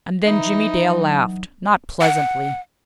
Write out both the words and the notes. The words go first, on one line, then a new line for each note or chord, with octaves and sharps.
And then Jimmie Dale laughed--not pleasantly.
E3 D#4 E5 A#5 B5
F#3
F#5